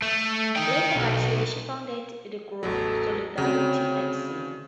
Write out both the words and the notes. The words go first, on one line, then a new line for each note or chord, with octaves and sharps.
Later that year she founded the group "Solidarity at Sea".
A3
D#4 G5
B1
A1 E2 F#3 A4
D2 C#3 C4 C#5